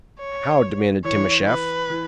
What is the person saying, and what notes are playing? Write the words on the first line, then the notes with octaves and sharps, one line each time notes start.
"How?" demanded Timascheff.
C#5
E3 C#5
B4
E3